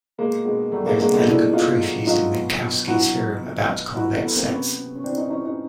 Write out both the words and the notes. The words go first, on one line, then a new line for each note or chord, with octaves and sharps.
There is an elegant proof using Minkowski's theorem about convex sets.
B2 G#3 A#3
B2 G#3
F#3 G3 A3
G#3 A#3
F#3 G#3 A#3
A3 B3
B2 D4 E4
B2 D#4 F4
F#3
F#3 D#4 F4
B2
B2
F#3 E4 F#4
F#3
B2
B2
F#3 E4 F#4
F#3 A3 B3
A#3 C4
C3 B3 C#4
C3
C#4
E3 C4 D4
C#4 D#4
E3 C#4 D#4
C#4 D#4